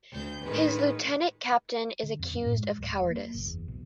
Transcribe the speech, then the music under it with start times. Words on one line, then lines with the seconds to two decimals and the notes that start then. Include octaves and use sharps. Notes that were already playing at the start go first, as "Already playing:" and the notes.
His lieutenant captain is accused of cowardice.
0.12 D2 G6
0.43 A2 D#3 G#3 B4
2.03 D3
2.19 F2
2.34 F#2
2.46 A2
2.57 G#3
2.79 D1
2.94 E1
3.10 A#3
3.34 F#1
3.46 E2
3.68 B1